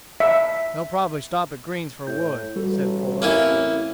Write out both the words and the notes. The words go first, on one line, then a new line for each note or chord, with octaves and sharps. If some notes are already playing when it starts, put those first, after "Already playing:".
"They'll probably stop at Green's for wood," said Fuller.
E5
A2 G6
A1 G3 F#4 A4
A#3 C4 C#4 E4